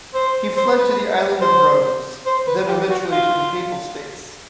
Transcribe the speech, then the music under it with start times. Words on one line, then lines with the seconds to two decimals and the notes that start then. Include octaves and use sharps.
He fled to the island of Rhodes, then eventually to the Papal States.
0.14 C5
0.57 C5
0.77 B4
1.41 C5
2.26 C5
2.47 B4
2.69 G4
2.90 F#4
3.12 F4